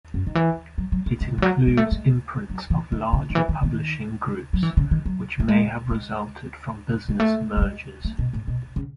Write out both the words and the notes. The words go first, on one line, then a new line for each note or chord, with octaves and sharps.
It includes imprints of larger publishing groups, which may have resulted from business mergers.
F#2
D#3
E3
F#3
F#3
A3
G#3
E3
F#3
G#3
A3
G#3
F#3
E3
D#3
C#3
D#3
E3
D#3
D#3
F#3
E3
C#3
D#3
F#3
A3
G#3
G#3
G#3
A3
A3
G#3
A3
B2
A2
B2
C#3